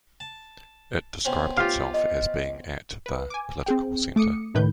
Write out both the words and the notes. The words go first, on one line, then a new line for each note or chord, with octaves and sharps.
It described itself as being at the political centre.
A5
B2 C4 C#4
F4 G4 F5
D#5
B4
G#5 D6
C4 G#4 G5
A3 D6 D#6 C#7
C#2 A2 D#3 B4 G6